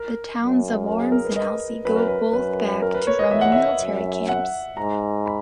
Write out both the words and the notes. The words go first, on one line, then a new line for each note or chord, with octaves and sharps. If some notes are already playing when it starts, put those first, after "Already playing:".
The towns of Worms and Alzey go both back to Roman military camps.
Already playing: A#4
F#2
A#4
G#4
A#4
B4
D#5
F#2 B4
A#4
B4
F#2 B4
A#4
B4
C#5
D#5
E2 E5
F#5
E5
F#2
F#5
G#2 A#5
B5